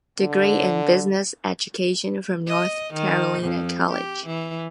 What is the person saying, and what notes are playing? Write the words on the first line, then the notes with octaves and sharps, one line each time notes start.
Degree in Business Education from North Carolina College.
D3
D#5
D#3
F2
G4
E3